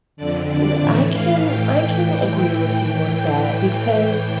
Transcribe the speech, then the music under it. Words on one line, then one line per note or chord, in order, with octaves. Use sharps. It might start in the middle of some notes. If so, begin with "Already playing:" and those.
w I can I can agree with you with that because
F2 D3 D5
D5
A2 E3 E5
F5
A2 E3 G5